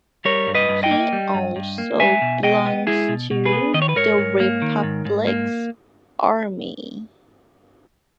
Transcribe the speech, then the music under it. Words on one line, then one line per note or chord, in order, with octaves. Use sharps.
He also belongs to the Republics army.
G3 A#4 C#5
G2
B4 D#5
G2
D#5 G5
A#3
G3
G2
G2
A#3
G#3 E5 G#5
B2
B2 D#5 G5
B3
G#3 E4 G#4
B2
B2
G#4 B4
B3
D#3 D#5
C#5
B4
G#2 A#4 C#5
G#2
A#3
D#3
G#2
G#2
A#3